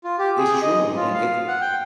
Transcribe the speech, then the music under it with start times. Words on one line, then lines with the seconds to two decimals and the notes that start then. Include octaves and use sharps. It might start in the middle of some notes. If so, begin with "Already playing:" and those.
It's true, man, it's
0.04 F4
0.19 G4
0.38 G#4
0.62 D#5
0.96 F4
1.14 F5
1.48 F#5
1.61 G5